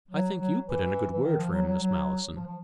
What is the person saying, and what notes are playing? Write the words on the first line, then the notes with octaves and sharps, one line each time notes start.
"I think you put in a good word for him, Miss Malleson."
F#3
F#3
E3
E3
D#3
F3
F#3
F#3
F#3
F3
F3